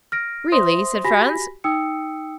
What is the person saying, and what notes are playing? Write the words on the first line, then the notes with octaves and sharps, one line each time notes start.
"Really?" said Franz.
F6 A#6 D7
C5 E5 C6 D#6 A#6
F#4 G4 G#5 B5 A#6 B6
D#4 G5 D#6 E6 C#7